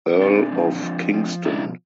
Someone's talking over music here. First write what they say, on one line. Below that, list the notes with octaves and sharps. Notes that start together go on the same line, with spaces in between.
Earl of Kingston.
A#2 C4 D4
F3
F3
F3
B2 D4 E4